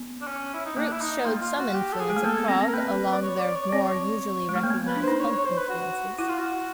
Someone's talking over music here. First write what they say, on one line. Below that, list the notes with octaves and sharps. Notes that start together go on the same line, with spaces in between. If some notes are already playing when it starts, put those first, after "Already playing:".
Groups showed some influence of prog along with their more usually recognised punk influences.
Already playing: B3
D4
C#4
E4
D#4
A#3 D4
E4
D#4
A#3 F4
F4
F#4
G4
A4
G#4
G#3
A3
A#3 A4
B3
C4
C4
A#4
A#3 B4
D5
C#5
D5
C#5
C4 D5
C#5
G#3
A3
A#3
B3
B4
D4
D#4 C5
C#5
C#5
C5
B4
F#4
E4 F#4
F4
F#4